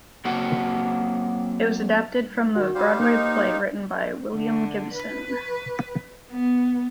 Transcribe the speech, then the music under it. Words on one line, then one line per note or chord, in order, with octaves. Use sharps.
It was adapted from the Broadway play written by William Gibson.
F#3 A#3 C4 F#4 F#5
D#3 F#4
G3 G4 C5 F5
A#3 D#4
D3
B4
B3